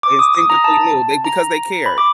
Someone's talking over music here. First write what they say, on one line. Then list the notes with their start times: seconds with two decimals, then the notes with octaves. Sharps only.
they instinctively knew. They because they cared.
0.03 D6
0.19 D#6
0.35 D#6
0.50 A#5
0.64 A5
1.25 A#5
1.86 B5
1.98 D6